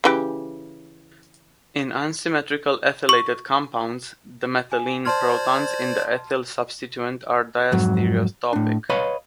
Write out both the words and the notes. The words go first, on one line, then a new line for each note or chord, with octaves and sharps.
In unsymmetrical ethylated compounds, the methylene protons in the ethyl substituent are diastereotopic.
C#3 E3 G4
C#6
G#5
C5 D5 A5 C6 F6 G#6
F2 G#2 F#3
A2 D4
B4 C#5 D#5 F5 B5